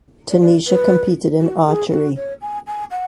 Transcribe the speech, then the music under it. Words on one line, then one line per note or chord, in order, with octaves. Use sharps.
Tunisia competed in archery.
D5
D5
B4
F#4
G#4
F#4
C#5
G#5
G#5
F#5